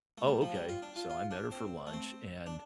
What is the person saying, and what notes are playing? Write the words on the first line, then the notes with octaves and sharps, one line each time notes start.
"Oh, ok," so I met her for lunch and
A3
G3
F3
G3
F4
D4
F4
F4
D4
C4
A3
C4
D4